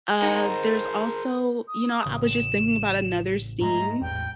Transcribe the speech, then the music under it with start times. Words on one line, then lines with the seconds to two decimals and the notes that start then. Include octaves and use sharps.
Uh, there's also you know, I was just thinking about another scene,
0.22 D#4 G#4 A#4 C5 D#5 F#5
1.68 D#6
2.06 A1 C#3
2.26 E7
3.61 G#2 G#3 A3 A#5
4.01 A1 E2 G5